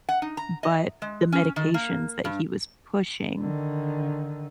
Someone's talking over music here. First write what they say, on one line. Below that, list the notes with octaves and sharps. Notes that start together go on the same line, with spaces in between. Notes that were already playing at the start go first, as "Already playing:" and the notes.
but the medications that he was pushing
F#5
D#4
A#5
D#5
G#3
C#4
D#3
A#3
G2
D3 D#3